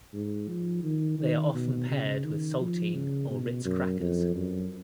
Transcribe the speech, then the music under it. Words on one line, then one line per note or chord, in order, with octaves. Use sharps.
They are often paired with saltine or Ritz Crackers.
G#2
F3
D#3
D#3
B2
C#3
D#3
F3
C#3
B2
F#2
F2
F#2